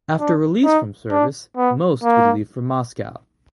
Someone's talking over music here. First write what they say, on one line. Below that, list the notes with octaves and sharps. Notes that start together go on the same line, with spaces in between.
After release from service, most would leave for Moscow.
D4
D#4
D4
B3
A#3